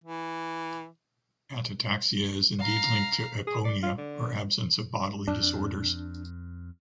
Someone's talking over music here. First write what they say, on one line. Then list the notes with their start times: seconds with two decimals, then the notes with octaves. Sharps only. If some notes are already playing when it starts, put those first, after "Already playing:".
Atataxia is indeed linked to aponia or absence of bodily disorders.
0.04 E3
2.60 F5 A#5
3.47 G#4
3.65 D5
3.83 F4
3.98 D3
5.28 F2 D4